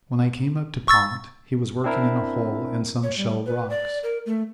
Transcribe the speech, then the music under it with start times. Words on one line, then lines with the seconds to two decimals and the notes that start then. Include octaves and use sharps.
When I came up to Pont he was working in a hole in some shell rocks.
0.88 C#6 E6 A6
1.84 C4 D4 E4 A#4
3.03 C#5
3.17 G3
3.46 B4
3.70 D5
4.03 A#4
4.26 A3